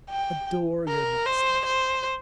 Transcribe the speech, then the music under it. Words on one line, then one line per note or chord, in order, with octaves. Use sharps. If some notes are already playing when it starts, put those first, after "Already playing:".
Adore your masters.
G5
A#4
C5
C5